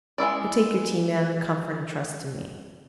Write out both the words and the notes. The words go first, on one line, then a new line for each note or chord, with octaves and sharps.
So take your tea, ma'am, in comfort, and trust to me.'
G#3 A#3 E4 D5